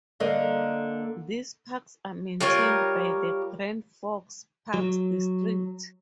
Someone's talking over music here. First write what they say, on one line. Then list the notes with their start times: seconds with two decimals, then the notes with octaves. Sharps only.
These parks are maintained by the Grand Forks Park District.
0.20 D3 A#3 D#5
2.40 G3 F4 A#4 C#5
4.74 F#3